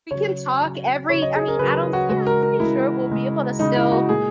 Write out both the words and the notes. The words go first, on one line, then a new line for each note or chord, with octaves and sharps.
We can talk every I mean, I don't, yeah, I'm pretty sure we'll be able to still,
C#3 F#3 C#5
C#3 F#3
C#3 F#3 C#5
D#5
G#4
A#4
C#3 F#3 B4
F#4
C#3 G#3 F#4
A#4
A#4
C#3 G#3 E4
C#3 G#3
C#3 G#3 D#4
E4
F#4
A#2 G#3 G#4